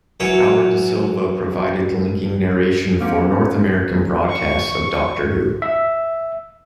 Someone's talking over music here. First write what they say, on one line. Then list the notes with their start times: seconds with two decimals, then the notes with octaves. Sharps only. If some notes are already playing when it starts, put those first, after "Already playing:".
Howard Da Silva provided linking narration for North American broadcasts of Doctor Who.
0.20 F#2 E3 F#3 C#5
3.00 A#3 B3 C#4 G4 C5
4.29 C#6
5.62 E5